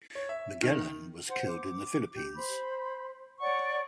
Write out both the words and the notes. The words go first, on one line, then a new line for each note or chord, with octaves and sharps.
Magellan was killed in the Philippines.
C#5
E5
D#3
C5 F#5
D6
G4
C5 B5
C#5 D5 F#5 C#6